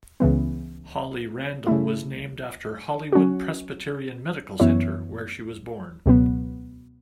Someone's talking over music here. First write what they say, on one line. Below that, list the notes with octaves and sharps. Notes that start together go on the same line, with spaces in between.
Holly Randall was named after Hollywood Presbyterian Medical Center where she was born.
C#2 C#3 E3 B3
C#3 A3 E4
F#3 C#4 F#4
F#2 E3 B3 E4 C#5
C#2 B2 F#3 B3